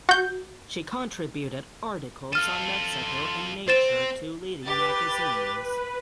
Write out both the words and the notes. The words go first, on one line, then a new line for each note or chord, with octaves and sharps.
She contributed articles on Mexico and nature to leading magazines.
F#4 G6
F4 A4 F6 D#7
C4 C5 A6 E7
G4 B4 A6